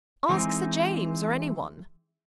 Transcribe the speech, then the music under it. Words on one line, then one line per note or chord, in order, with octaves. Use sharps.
Ask Sir James or anyone.
E3 G#3 C4 D#4